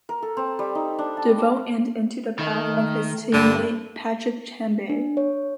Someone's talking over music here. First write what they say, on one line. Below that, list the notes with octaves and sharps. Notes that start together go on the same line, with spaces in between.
Devote and into the path of his team-mate Patrick Tambay.
A#4
A4
C4
G3
D#4
D4
A5
D6
D#3 A3
G2 D3
D4
C#5